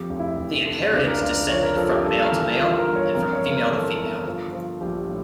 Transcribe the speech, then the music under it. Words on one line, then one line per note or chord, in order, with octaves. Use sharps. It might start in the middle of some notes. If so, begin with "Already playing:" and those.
The inheritance descended from male to male and from female to female.
Already playing: F2 G4
F1
E4
F1
D3
C#2 D4
A#4
C#2 A#4
A#4
F3 C#5
A#4
F3 A4
G4
G2 A4
A#4
E3
A#4
E3 F4
A#4
G1
C#5
F2 A#4
C#5
G1
A#4
E3 A4
G1
F3
F3
A#1 G4
A2